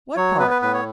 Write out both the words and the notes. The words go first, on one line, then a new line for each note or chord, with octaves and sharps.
"What part?"
F#3 C#5
B3 B4
B4
A2 B4
C#5